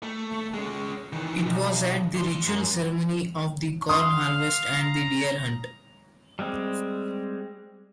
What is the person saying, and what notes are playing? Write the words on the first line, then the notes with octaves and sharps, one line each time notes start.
It was at the ritual ceremony of the "Corn Harvest" and "Deer Hunt".
A3
G#3 C#4
D#3 E3
B1
D2 C6
F#2
F5 C6 D#6
A#5
G3 G#3 C4